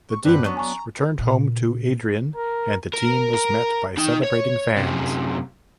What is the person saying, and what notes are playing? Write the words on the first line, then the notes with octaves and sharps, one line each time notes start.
The Demons returned home to Adrian and the team was met by celebrating fans.
C#6
G2 C4 B4 F#5 D6
F#3 B3 D4 C#6
G#5 A#5 C#6
A#2 C#3
A#4
A#4
A#4
D#4 G5
C#5
F#2 C3